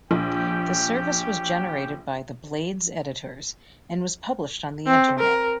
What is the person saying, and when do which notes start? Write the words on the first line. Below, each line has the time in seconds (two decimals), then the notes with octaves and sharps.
The service was generated by the "Blade"s editors and was published on the internet.
0.11 A#1 C#4 G4 G5
4.87 C4
5.19 A#4